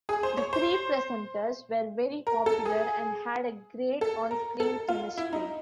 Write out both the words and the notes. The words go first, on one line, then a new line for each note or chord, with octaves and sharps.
The three presenters were very popular and had a great on screen chemistry.
G#4
C5
C#5
C5
A#4
A4
G#4
A4
A#4
A4
F4
E4
D#4